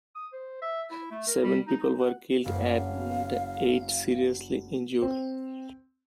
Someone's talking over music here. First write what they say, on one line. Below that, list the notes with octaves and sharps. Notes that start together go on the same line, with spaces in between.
Seven people were killed and eight seriously injured.
D#6
C5
E5
E4
A3
A#4
G3
D#4
D#4
F#5
F#1 F5
C4